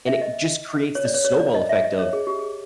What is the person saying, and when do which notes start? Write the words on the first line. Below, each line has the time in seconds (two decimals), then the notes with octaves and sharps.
and it just creates this snowball effect of
0.07 E5
0.22 D#5
0.95 C#5
1.05 D5
1.14 C#5
1.25 C#5
1.39 D5
1.55 D#5
1.69 E5
1.84 D#5
1.99 C#5
2.13 G#4
2.27 G4
2.39 G#4